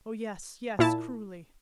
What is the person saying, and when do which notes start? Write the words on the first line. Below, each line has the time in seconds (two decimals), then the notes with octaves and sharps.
"Oh, yes, yes, cruelly!"
0.79 A#2 E4 A5